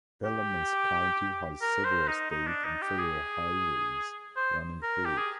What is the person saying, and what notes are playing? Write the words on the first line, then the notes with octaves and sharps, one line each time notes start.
Alamance County has several state and federal highways running through it.
G4
A#4
C5
D#4
D#4
D4
D#4
G4
G#4
C5
A#4
G4
G#4